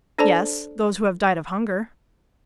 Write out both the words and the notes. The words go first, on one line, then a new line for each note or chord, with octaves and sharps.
"Yes; those who have died of hunger."
D4 A4 C5 D5 A5